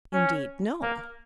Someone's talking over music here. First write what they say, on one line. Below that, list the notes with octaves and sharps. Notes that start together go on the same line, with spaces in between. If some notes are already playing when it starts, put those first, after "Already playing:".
"Indeed no."
C#4
A#3